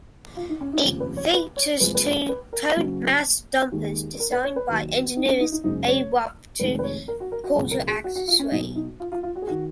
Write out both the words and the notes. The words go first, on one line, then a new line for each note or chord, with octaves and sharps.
It features two tuned mass dampers, designed by engineers Arup, to counteract sway.
F4
D#4
C#4
D#4
F1 D#2 C#3 F3
B4
C#5
B4
C#5
F#1 F2 F3 G#3 B4
B4
C#5
B4
A#4
F#1 F#2 C#3 F#3
D#2 D#3 G#3
A#4
B4
C#5
B4
D#2 D#3 F#3
D#4
C#4
D#4
D#4
F#1 F#2 C#3 G#3 D#4
C#5
F1 F2 D#3 G#3 B4
B4
C#5
A#4
F#4
A#4
F#4
C#2 B2 F#3 G#4
A#4
G#4
F#4
F#4
F4
C#4
B1 B2 F#3 D#4
D#4
F4
F4
F4
F#4
G#4
D#3 F#4